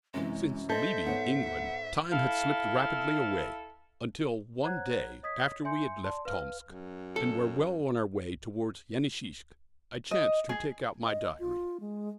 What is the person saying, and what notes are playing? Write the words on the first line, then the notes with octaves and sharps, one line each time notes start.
Since leaving England, time had slipped rapidly away, until, one day, after we had left Tomsk, and were well on our way towards Yeniseisk, I chanced to take out my diary.
F#2 C3 E3 G#3
A4 C5 D#5 E5 G6
G#2 B3 C#5 F#5
E4 A4 F5
C5 C#5 F#5 A#5 F#6 G#6
C#5 D#5 D#6 G#6 B6
E5 G#5 C6 G6 C#7
D5 A5 C6
B4 F5 F6
F#2
A4
D#5
G#4
D#5
F4
G#3